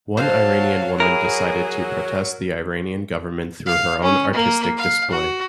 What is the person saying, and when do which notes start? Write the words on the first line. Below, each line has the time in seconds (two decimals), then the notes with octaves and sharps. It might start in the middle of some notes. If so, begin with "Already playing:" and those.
One Iranian woman decided to protest the Iranian government through her own artistic display.
0.17 F#3 C5 F5 A5
1.00 E4 G#4 A#4
3.66 F5
4.03 C#4
4.33 A#3
4.77 F5
5.10 F#4